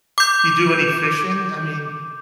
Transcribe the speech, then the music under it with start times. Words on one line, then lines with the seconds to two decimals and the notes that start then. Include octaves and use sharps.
you do any fishing? I mean
0.18 D6 G6